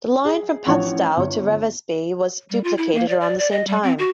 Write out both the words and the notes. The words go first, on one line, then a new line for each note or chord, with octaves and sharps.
The line from Padstow to Revesby was duplicated around the same time.
G#4
A1 F3 D4 C#5 F#5
G1 C#5
G3
F4
E4
A#3
D5
D5
D5
D#5
G3
C4
F#4